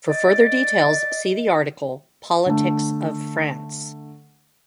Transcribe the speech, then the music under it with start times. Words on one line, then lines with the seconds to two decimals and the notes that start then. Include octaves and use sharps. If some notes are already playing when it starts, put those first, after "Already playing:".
For further details see the article: Politics of France.
0.07 D5 D#5
2.46 D3 A3